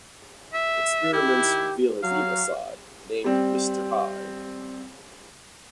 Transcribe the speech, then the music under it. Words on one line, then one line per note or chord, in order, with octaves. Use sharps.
Experiments reveal his evil side, named Mr. Hyde.
E5
D#3 E4 G4
F#3 F5
G3 C4